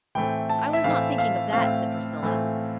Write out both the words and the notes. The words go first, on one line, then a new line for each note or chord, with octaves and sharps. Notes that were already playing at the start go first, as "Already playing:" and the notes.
"I was not thinking of that," said Priscilla.
A2 E3 A3 C4 G5
A5
E5
A2 E3 A3 C4 F5
F5
A2 E3 A3 C4 F5
A2 E3 A3 C4